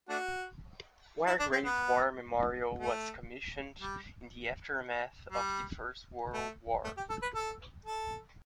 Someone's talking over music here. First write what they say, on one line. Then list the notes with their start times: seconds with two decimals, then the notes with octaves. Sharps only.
Wargrave War Memorial was commissioned in the aftermath of the First World War.
0.09 A3 D4 F#4
1.27 E4
1.40 D4
1.52 C4
1.65 B3
2.79 A3
3.81 G3
5.32 G3
6.34 A3
6.84 A3
6.97 G4
7.10 A4
7.22 B4
7.35 A4
7.85 A4